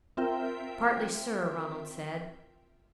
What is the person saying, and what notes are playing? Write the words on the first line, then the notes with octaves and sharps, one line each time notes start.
"Partly, sir," Ronald said.
C4 F4 A#4 E5 G5